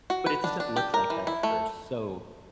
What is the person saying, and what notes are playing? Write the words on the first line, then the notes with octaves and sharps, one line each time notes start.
but it doesn't look like that at first, so
F#4
B4
D4
D4
G4
A#4
E3
E4
A3